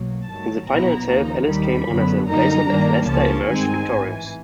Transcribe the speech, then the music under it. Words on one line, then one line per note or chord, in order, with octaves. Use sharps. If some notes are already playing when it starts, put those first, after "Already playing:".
In the final itself Ellis came on as a replacement as Leicester emerged victorious.
Already playing: B1 B2 F#3 A#3
G2 D#3 F#3 A3 A5
B1 A#2 F#3 B3 E4 A#5
D#2 C#3 F3 A#3 D#4
D#2 D#3 G3 B5
F#2 D3 F#3 B3
F#2 D3 G3 A#3 D#4 A#5
G2 D#3 G3 A#3 D4
C#2 C#3 F3 A#3 C#4 A5
G2 D#3 G#3 C4 D#4 G#5
A1 G#2 E3